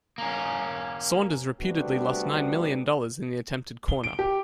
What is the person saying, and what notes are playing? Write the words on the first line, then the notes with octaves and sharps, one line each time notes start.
Saunders reputedly lost nine million dollars in the attempted corner.
A#3 C#4
C3 G3 A3 B3 D4 F#4
G7
D7
G4